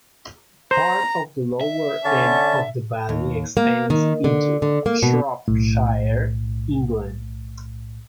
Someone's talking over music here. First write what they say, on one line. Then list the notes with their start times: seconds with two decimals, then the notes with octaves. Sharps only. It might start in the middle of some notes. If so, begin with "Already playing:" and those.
Part of the lower end of the valley extends into Shropshire, England.
0.71 C5 A#5
1.61 E5
2.05 D3 C#4 A5
3.09 D#2
3.57 A#3
3.90 D#3
4.24 D3
4.62 D3
4.86 A#3
5.03 B2
5.48 B1 A2